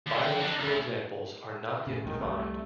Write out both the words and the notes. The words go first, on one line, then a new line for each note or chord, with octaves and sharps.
Biological examples are not yet defined.
D#2
F2 G5
D4 D#4
D2
A2 C#3
A#1 D#2 G#2 D#3
C2 C3 A3